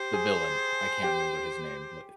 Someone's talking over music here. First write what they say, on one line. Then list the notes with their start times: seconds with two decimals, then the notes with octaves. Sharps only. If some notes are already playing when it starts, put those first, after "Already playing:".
the villain, I can't remember his name, but
Already playing: G4 C5 G5
0.14 G#4 G#5
1.03 G4 G5